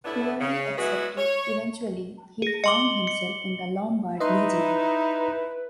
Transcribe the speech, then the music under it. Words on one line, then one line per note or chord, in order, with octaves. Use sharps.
Poorly accepted, eventually he found himself in the Lombard Legion.
A2 B3 D4 E4
C#3
F#3 G#3 B3 C#4 E4 F#4
C#5
G#4 A#6
D#5 C6 D6 C#7 F#7 G7
C#7
D#4 E4 B4 D#5 E5 C6